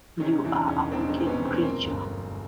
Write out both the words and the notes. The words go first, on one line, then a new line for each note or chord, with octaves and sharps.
You are a wicked creature!
C3 C#4 D#4
D#4
E2 D4 E4
E1 C#4 D#4
E1 C4 D4
C#4 D#4
C3
C4
B3 C#4
E1
C4
C#4
F#2 A#3 C4
G1
F#2